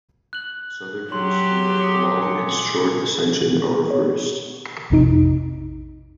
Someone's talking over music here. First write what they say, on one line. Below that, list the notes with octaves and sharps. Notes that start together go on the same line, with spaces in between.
In the southern hemisphere, long and short ascension are reversed.
F#6 F#7
F#3 G4 C6 F#6
D6 D#6
G#5 C#7
C#5
A#1 F2 C3 D#4 D7